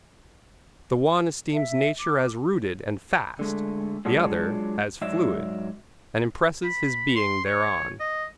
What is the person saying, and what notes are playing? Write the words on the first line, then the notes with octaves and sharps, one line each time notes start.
The one esteems nature as rooted and fast; the other, as fluid, and impresses his being thereon.
E5
D6
D3 G#3 A3
F#3 G#3 D4 F4 G#4 F#5
G#2 F#3 D5 E5
B5
C6
C#5
D#5